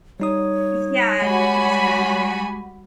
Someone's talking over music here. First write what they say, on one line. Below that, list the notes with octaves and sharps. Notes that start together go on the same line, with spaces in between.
Yeah, that's true.
G3 D#4 C#5 D#6
G3 G#3 F#4 G#5 B5